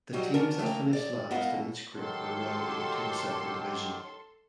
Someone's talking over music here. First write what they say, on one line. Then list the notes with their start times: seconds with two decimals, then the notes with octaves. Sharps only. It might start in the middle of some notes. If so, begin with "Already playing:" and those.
The teams that finished last in each group were relegated to the second division.
0.13 F#3 G3 D#4 F#4 G4
0.34 B3 C#4 D4 A#4
0.58 C#3 A3 A#3 G5 A#5
0.93 D#2 D5
1.31 B3 E4 A#4 D#5 F5 F#5
1.50 F#2 A2
1.94 D#3 F#3 G4 A4 C6